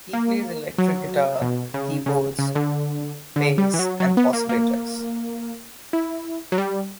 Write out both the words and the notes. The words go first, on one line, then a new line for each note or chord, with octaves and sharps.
He plays electric guitar, keyboards, bass and oscillators.
A#3
F#3
B2
C#3
C#3
C#3
D3
D3
G3
E3
F#3
F#3
B3
A#3
A#3
E4
F#3
G3